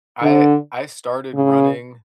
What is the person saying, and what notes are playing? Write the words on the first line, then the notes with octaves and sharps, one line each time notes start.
I I started running,
D3
C#3